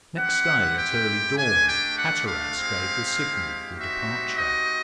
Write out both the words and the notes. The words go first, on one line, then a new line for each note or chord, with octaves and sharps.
Next day at early dawn, Hatteras gave the signal for departure.
C4 E4 G4 F#5
G5
A3 D4 G4 G#5
G5
F#5
F5
G#3 C4 E4 G4
G3 C4 D#4 F#4 E5
D#5